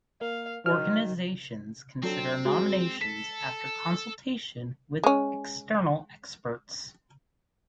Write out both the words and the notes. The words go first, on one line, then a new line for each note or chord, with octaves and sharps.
Organisations consider nominations after consultation with external experts.
A#3 F5
D#3 F#3 F6
F#3 C4 D4 A4
G#3 F#4
A4 B6
G#3 C#4